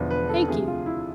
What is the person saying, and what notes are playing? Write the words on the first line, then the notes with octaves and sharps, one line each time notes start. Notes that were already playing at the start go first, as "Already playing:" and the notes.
Thank you.
Already playing: E1 E2 D3 F3 B4
B4
A4
D2 C3 F3 G#4
F4
E4